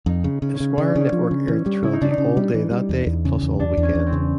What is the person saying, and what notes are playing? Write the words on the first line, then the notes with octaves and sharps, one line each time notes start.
Esquire Network aired the trilogy all day that day, plus all weekend.
F2 D#4
C#3
C#3
C#4
C#3
C#3 D4
C#3
C#4
F3
C#3
E3 C#4
G3
C#3 E4
D#4
C#3 D4
D#4
C#3
G3
E3
G3
E2
E2
C#3
E2
E2 D4
E2
C#4
E2
C4
C#3